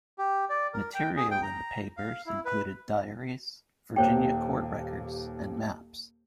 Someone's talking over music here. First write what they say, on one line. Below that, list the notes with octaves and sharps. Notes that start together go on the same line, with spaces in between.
Material in the papers included diaries, Virginia court records, and maps.
G4
D5
A#4
G5
G#4
G5
A#5
F5
E4
B4
D#1 D#2 G4 C5 C#5 G5